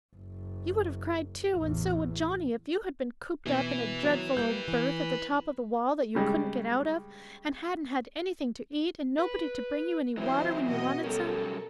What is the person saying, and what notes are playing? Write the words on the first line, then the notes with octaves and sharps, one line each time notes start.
You would have cried too, and so would Johnnie, if you had been cooped up in a dreadful old berth at the top of the wall that you couldn't get out of, and hadn't had anything to eat, and nobody to bring you any water when you wanted some.
F#1
A1 E2
B2 B4 E5
F#3 B3
G3 A#3 G6
E3
C#3 G3 G#3
B4
E3 F#3 C4 E4 C5
B2 F#4 D#5
F#3 G3 C#4 A4 A#4